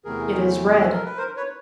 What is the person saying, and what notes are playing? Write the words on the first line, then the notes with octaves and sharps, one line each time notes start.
It is red.
E2 C3 E3 A3 G#4 A#4
G#4
A4
A#4
B4
A#4 C5
B4 C#5